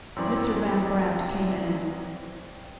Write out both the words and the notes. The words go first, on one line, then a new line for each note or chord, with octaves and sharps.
Mr. Van Brandt came in.
F#2 E3 F#3 C4 D5